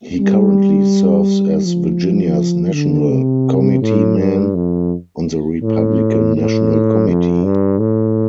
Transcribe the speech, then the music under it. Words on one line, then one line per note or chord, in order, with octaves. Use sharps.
He currently serves as Virginia's national committeeman on the Republican National Committee.
G3
F3
D3
C3
A2
G2
F2
A2
A2
F2
G2
A2